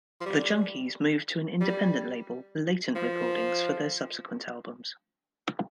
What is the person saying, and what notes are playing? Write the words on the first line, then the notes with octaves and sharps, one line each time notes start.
The Junkies moved to an independent label, Latent Recordings, for their subsequent albums.
F3
G3
G3
F3